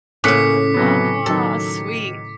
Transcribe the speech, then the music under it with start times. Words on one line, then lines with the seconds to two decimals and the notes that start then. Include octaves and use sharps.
aw, sweet.
0.24 A2 C#3 A#3 C#4 D6 F#6 B6 C#7
0.74 C3 F#3 B3
1.26 D#3 F#3 A4